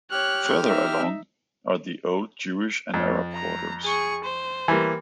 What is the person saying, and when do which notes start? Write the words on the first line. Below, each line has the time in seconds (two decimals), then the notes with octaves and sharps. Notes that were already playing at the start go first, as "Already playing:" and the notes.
Further along are the old Jewish and Arab quarters.
0.12 G4 C#5 F6 F#6
0.64 D#4 E5
2.94 F2
3.33 A#5
3.84 G#4 C#6
4.24 C5
4.68 E3 G3 A#3